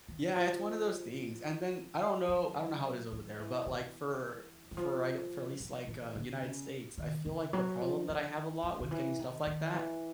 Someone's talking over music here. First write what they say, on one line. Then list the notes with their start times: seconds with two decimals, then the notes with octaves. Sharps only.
Yeah, it's one of those things, and then, I don't know I don't know how it is over there, but, like, for for I l for at least, like, uh, United States, I feel like the problem that I have a lot with getting stuff like that
0.08 E3
0.36 F3
2.28 F#3
3.12 F3
3.39 E3
3.66 E3
4.71 E3
4.77 F3
5.60 F3
5.87 E3
6.16 D3
6.43 C#3
6.98 D#3
7.26 C#3
7.53 F#3
7.81 F3
8.09 F3
8.63 F3
8.80 D#3
8.91 E3
9.19 D#3
9.47 D#3
9.74 E3